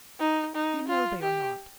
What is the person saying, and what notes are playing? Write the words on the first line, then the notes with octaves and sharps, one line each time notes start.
You know they are not.
D#4
D#4
F4
G4